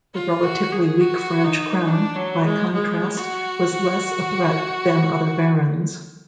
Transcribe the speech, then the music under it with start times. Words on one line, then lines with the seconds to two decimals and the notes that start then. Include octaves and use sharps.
The relatively weak French crown, by contrast, was less a threat than other barons.
0.14 F4
0.44 F#4
0.72 G#4
1.01 F#4
1.44 D#4
1.87 D4
2.16 F#3
2.45 G#3
2.73 G#3
3.17 F#4